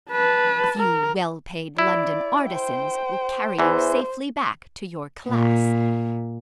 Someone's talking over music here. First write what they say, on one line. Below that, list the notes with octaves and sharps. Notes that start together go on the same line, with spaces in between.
A few well-paid London artisans will carry you safely back to your class.
B4 A5
A#4
E4 D5
C5 G5
E2 E3 C5
A#2